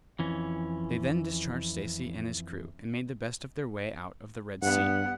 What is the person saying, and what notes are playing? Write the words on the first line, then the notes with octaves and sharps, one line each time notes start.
They then discharged Stacy and his crew, and made the best of their way out of the Red Sea.
F2 E3 C#4
G2 B3 F#5